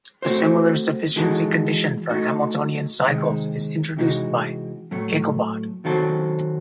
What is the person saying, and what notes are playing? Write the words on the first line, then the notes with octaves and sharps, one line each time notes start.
A similar sufficiency condition for Hamiltonian cycles is introduced by Kaykobad.
A3 C4 F#4 C5
E3 G#3 D#4 F#4 A4
A3 D#4 F#4
C3 D#3 G#3 D#4
C3 E3 G#3 D#4 F#4
A2 F#3 A3
D#3 F#3 C4 F#4 A4